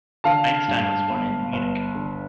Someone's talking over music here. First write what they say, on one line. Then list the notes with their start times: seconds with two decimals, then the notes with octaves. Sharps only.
Einstein was born in Munich.
0.24 D3 F5 A5
0.68 G2
1.10 G1
1.53 G1
1.95 D3